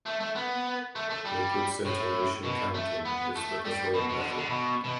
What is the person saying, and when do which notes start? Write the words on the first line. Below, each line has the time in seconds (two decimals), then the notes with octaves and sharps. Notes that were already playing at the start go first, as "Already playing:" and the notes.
Liquid scintillation counting is the preferred method.
0.06 A3
0.20 A3
0.35 B3
0.96 A3
1.10 A3
1.25 G3
1.85 A2
2.45 B2
2.75 A3
3.05 B3
3.35 A3
3.65 G3
3.94 B2
4.10 B2
4.19 D3
4.29 B2
4.39 D3
4.49 B2
4.84 B2